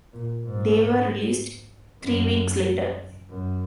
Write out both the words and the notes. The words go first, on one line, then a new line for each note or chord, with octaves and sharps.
They were released three weeks later.
A#2
G#2
F#2
F#2